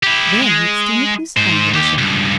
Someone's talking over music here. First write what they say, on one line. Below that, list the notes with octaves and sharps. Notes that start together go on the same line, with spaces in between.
Then he extended his hand to the chauffeur.
E4 G4
G#3
G#2 C5
D#2 G4
C#2 G2